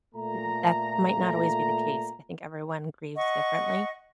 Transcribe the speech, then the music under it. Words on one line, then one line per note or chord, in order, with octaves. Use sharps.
th that might not always be the case. I think everyone grieves differently.
A#2 A3 A#5
D#5 F#5 C#6